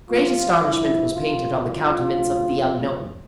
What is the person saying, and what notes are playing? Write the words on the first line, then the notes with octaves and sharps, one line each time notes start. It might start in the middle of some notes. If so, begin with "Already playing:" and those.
Great astonishment was painted on the countenance of the unknown.
C2 C3 F3 F4
G2 F3 E4
F2 C3 F3 F4
C2 C3 F3 F4
D2 C3 F3
F2 C3 F3